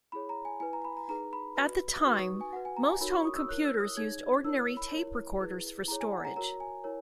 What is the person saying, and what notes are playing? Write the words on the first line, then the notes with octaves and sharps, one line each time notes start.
At the time, most home computers used ordinary tape recorders for storage.
E4 G#4 C#5 B5
A#5
G#5
E4 B4 G#5
A#5
B5
A#5
D#4 G#4 B4 A#5
B5
F#4 B4
D#4 F#4 B4 D#6
C#6
G#5
F#4 B4 F#5
G#5
A#5
G#5
D#4 F#4 A#4 C#5 B5
C#6
D#6
E6
E4 A#4 C#5 F#6
E6
D#6
D#4 G#4 C#5 G#6
E4 A#4 C#5 E6
B5
E4 A#4 C#5
E4 G#4 B4
E4 G#4 C#5 A#5
G#5
F#5
A#5
F#4 A#4 C#5 A#5
G#5
E4 A#4 C#5